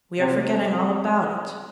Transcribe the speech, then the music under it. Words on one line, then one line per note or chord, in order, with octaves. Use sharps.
We are forgetting all about it.'
C3 C4
A3
A3
C4